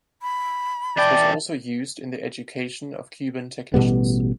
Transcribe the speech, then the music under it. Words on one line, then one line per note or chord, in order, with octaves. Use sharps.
It was also used in the education of Cuban technicians.
B5
E3 D5 G5 A5
A1 B2 G3 B3